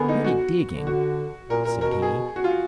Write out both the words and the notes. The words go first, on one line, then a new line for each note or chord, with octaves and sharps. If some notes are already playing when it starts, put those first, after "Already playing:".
"Pretty digging!" said he.
Already playing: D3 B3 G#4 A#4
D#4
F#4
D3
F#4
A#2 A#4
A#2 A#4
B2 A#4
A#4
G#4
F#4
F4